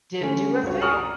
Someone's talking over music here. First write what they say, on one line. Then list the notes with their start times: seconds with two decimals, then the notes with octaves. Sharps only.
didn't do a thing.
0.21 D3 A3 C#4
0.63 C#2 G2 F#4 C#5
0.81 F#5 G#5 C#6 D#6 F6 F#7
0.93 D5 A#5